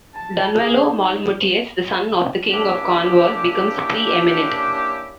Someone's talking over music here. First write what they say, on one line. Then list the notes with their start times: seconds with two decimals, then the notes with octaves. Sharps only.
Dunvallo Molmutius, the son of the King of Cornwall, becomes pre-eminent.
0.14 A5
0.56 G#4
0.92 D#4
2.52 A#3 C#4 D4 E4 G4